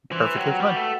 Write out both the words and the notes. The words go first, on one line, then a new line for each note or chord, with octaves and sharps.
Perfectly fine.
E3 C5
B4
F#3 G4
F#4
G3
A3